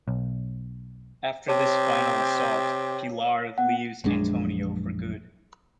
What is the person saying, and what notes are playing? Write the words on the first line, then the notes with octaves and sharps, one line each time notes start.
After this final assault, Pilar leaves Antonio for good.
B1
C3 C#5 G5 A5
B3 F#5
A#1 F#2 G#3 D4